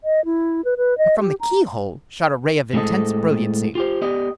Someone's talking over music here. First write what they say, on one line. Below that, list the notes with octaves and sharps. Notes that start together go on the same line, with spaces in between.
But from the keyhole shot a ray of intense brilliancy.
D#5
E4
B4
B4
D#5
G4
A#5
A2 G#3 C4 D4 A4 D#5
F4 G4 C5
B3 G4 D5 D#5